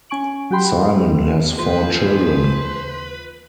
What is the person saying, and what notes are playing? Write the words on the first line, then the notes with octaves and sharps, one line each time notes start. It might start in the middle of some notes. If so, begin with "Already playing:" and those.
Simon has four children.
C#4 G#5 C#6 D7 F#7
F#3 F#4 G4 G5 B5 C6
D#2 E3 A3 F4 G4 G#4 B4 C5